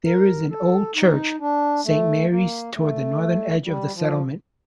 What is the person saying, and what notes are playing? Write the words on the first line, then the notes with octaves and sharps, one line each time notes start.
There is an old Church, Saint Mary's toward the northern edge of the settlement.
A#4
A4
D#4
D4
A3
A#3
A3
G3
F3